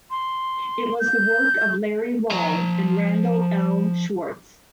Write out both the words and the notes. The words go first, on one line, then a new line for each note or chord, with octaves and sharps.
It was the work of Larry Wall and Randal L. Schwartz.
C6
G6
F3 A#5